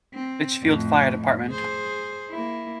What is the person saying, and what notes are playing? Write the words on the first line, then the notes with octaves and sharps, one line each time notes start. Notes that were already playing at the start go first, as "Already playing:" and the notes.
Litchfield Fire Dept.
C4
F2 A2
G#4 C5
A#3 E4